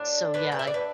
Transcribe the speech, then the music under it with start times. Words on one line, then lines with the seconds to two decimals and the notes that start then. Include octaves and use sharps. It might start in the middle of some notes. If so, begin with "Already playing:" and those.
So, yeah I
Already playing: A2 D4
0.34 D4 B4
0.52 G5
0.59 E5
0.67 D5
0.74 B4